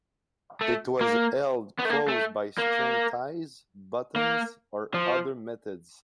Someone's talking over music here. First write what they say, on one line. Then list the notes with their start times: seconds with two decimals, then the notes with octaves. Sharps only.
It was held closed by string ties, buttons, or other methods.
0.61 A3
1.01 A#3
1.79 B3
1.85 A3
1.90 A#3
2.08 A3
2.58 A#3
4.16 A#3
4.94 F3